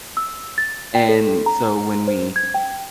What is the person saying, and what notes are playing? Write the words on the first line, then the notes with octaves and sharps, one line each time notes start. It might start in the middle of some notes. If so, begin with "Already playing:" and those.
And so, when we
E6
A6
G5
A4
A#5
C5
G#6
G5